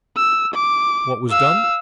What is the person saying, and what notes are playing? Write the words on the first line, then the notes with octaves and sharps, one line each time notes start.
What was done?
E6
D6
F5 E6